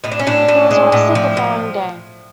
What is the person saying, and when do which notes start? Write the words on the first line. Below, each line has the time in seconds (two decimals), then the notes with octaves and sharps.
He was arrested the following day.
0.04 A2 D#4
0.12 D4
0.19 C#4
0.27 A2 D4
0.48 A2
0.71 G#3
0.92 A2
1.15 F3
1.37 A2